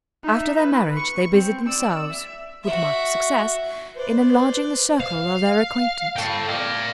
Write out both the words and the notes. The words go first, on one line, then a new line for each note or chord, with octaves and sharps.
After their marriage they busied themselves, with marked success, in enlarging the circle of their acquaintance.
D#4 E5
B4
C#6
C4
D5 E6
E5
F#4 E5
B4 C5 D5
F5
A4 G5
D5 F5